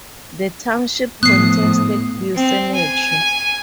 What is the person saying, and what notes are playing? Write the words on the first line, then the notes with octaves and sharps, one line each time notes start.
The township contains Lakeview Cemetery.
A2 F3 B3 D#6 F#6 C7
C4
G#5